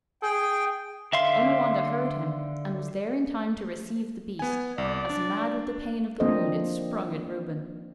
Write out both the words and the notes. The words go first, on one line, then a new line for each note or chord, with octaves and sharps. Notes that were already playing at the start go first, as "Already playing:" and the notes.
Onawandah heard him, and was there in time to receive the beast, as, mad with the pain of the wound, it sprung at Reuben.
G#4 G5
D3 E5 F5 C6
B3 G#5
C2 D5
D4
F3 A#3 C4 D4 C5 D#5